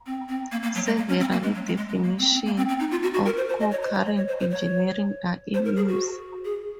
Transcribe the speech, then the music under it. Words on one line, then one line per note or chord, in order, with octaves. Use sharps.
Several definitions of concurrent engineering are in use.
C4
C4
A#3
A#3
F#3
G#3
A#3
C#4
C4
A#3
G#3
F#3
G#3
G#3
G#3
A#3
C4
C4
A#3
C4
C4
D#4
F4
F#4
F#4
A#4
C5
C5
D#5
C#5
C5
C#5
D#5
C#5
C5
C5
C#5
C5
A#4
G#4
F#4
G#4